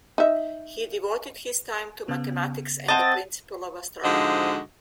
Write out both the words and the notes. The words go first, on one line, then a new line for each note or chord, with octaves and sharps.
He devoted his time to mathematics and the principle of astronomy.
D#4 E5
C#3 B3
C4 D#5 F#5 A5 A6
G#2 D3 F3 F#4 C5 D#5